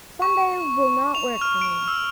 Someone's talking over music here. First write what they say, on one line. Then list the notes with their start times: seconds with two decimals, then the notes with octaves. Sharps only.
Sunday will not work for me.
0.22 C#6
1.15 F7
1.41 F6
1.62 D7
1.88 E6